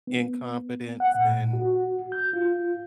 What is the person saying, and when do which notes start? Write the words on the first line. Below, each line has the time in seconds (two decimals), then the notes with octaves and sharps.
incompetence and
0.07 B3
1.00 F#5
1.15 A#2
1.53 F#4
2.12 G6
2.33 F4